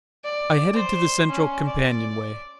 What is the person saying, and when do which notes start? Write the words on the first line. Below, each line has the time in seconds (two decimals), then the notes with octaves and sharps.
I headed to the central companionway.
0.24 D5
0.73 C5
1.29 C#4
1.66 D5